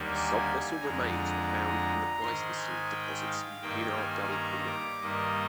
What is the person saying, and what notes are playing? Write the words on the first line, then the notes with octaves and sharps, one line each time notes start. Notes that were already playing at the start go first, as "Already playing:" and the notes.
Subfossil remains were found in Pleistocene deposits in Pinar del Rio.
Already playing: D#2 D3 G3 A#3
G#5
F2 D3 G#3 A#5
G#2 D#3 G#3 C6
G#5
G5
F5
G2 D#3 A#3 G5
G#5
A#5
D6
G2 D#3 A#3 D#5